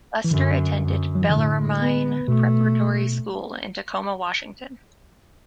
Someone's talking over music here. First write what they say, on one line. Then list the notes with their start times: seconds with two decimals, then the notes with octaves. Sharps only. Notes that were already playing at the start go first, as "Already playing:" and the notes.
Lester attended Bellarmine Preparatory School in Tacoma, Washington.
0.24 E3
0.31 F#2 D3
0.81 F#2
1.15 F#3
1.22 E3
1.30 A2 D3
1.79 B3
2.28 B2 A3